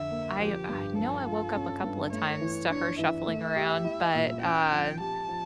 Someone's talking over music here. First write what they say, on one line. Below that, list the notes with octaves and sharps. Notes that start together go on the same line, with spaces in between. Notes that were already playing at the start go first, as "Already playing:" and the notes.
I I know I woke up a couple a times to her shuffling around, but, um,
Already playing: F2 D3 E5
A#3
F3 G4
G2
F3 A4
F4
C#4
G2
A3 C#5
E3
D4 C#5
E3 E5
A3
G4
E4
A#2
C#4 G5
F3
G4 A5
F3